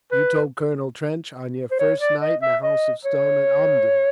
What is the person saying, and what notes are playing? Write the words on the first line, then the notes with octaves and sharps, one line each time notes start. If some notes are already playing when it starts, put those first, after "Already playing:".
You told Colonel Trench on your first night in the House of Stone at Omdurman.
B4
C5
C#5
D5
D#5
E5
D#5
C#5